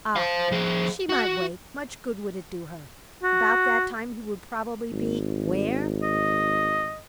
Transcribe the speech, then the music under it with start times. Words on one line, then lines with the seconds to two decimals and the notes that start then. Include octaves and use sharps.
Ah! she might wait--much good would it do her; about that time he would probably be--where?
0.16 C5 F5
0.51 F3 G#4
1.09 F#4
3.23 F#4
4.92 G#1
6.03 D#5